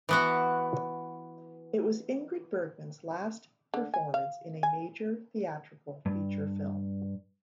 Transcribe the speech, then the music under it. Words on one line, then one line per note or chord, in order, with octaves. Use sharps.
It was Ingrid Bergman's last performance in a major theatrical feature film.
E3 B3 F#4
D3
G#5
F5
G#5
G2